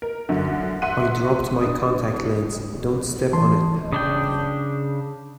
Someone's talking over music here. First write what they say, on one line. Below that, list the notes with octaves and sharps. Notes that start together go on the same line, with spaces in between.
I dropped my contact lens, don't step on it!.
A#4
F#2 D3
E5 F#5 C6 F#6 D#7
D4 D#6
E3 A5 C6
C#3 D4 G5 D#6